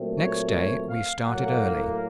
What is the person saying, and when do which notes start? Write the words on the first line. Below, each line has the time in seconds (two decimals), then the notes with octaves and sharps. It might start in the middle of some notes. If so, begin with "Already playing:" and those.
Next day we started early.
Already playing: A#2 F#3 A3 C4
0.18 C#5
0.54 C#5
0.89 F5
1.25 A2 F#3 A#3 F#5